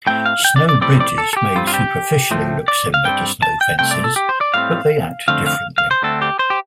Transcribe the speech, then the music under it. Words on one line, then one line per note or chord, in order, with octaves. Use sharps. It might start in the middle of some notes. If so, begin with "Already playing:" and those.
Snow bridges may superficially look similar to snow fences, but they act differently.
A2 A3 C4 G5
F5
G5
D5
D5
A2 G3 C4 D5
D5
A4
A4
G4
G2 G3 C4 F4
F4
G4
A2 F3 A3 C4
D5
F5
G2 G3 C4 G5
A5
G5
C2 C3 A3 C4 G5
D5
A4
G4
C5
D5
A2 G3 C4 F5
F2 D3 A3 C4 F5
F5
F5
C5
D2 D3 A3 C4 A4
G4
C5
G4